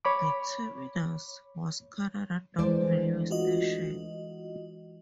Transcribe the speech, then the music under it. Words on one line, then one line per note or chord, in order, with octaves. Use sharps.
The terminus was Canada Dock railway station.
C#5 B5 D6
D2 E3 G#3 C5 D5
F4 F#4 D#5